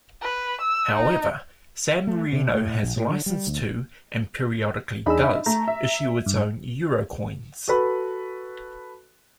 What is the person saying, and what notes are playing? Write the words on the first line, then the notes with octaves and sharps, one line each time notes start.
However, San Marino has license to-and periodically does-issue its own euro coins.
B4
E6
D#4
A3
C3
A2
A#1
A2
D3
G3
D2
E2 D4 D#4 G#4 B5 E6
E5
A3 A#5
E5
G2
F#4 A4 B4 B5